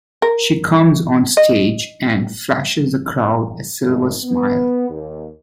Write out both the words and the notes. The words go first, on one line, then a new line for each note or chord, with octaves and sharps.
She comes onstage and flashes the crowd a silver smile.
A#4
D#5
G#1
B3
D#2